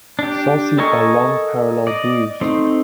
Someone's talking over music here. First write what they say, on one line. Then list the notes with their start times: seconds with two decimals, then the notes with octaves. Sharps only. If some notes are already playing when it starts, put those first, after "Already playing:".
Sulci are long, parallel grooves.
0.19 D4 G4
0.78 A4 A#4 D#5 G#5 C#6
1.87 D5 D#5
2.41 A3 C4 D#4